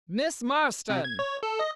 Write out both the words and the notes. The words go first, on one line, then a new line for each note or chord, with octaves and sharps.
"Miss Marston!"
C3
G#6
C#5
A4
D#5